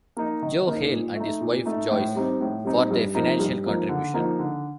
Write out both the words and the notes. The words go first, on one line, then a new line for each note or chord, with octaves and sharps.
"Joe" Hale and his wife Joyce for their financial contribution.
A#3 D#4
D#3
A#3 D#4
A#2
A3 D#4
A#2
A3 D#4
A2
G3 C4 D#4
A2
G3 C4 D#4
G2
F3 A#3 D#4
G2
F3 A#3 D#4
D3
F3 A#3 D#4
D3